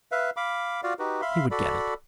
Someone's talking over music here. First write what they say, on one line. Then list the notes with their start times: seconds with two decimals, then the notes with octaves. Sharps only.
He would get it.
0.12 B4 E5 F5
0.37 F5 B5 D6
0.83 F4 F#4 D5 F5
0.99 D#4 F#4 G4 B4
1.22 E5 F5 B5 C6
1.51 F#4 A4 D5 B5